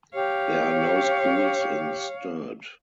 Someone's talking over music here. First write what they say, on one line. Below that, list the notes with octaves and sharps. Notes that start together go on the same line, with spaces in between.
There are no schools in Sturt.
G4 C#5 F5